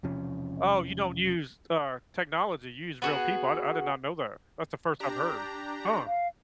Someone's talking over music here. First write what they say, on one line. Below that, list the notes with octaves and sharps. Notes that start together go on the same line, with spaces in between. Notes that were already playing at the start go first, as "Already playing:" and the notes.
Oh, you don't use, uh, technology, you use real people. I I did not know that. That's the first I've heard. Huh.
E1 C3 F3 C#4
B3 F#4 G#4
D4 G4 A#5
F5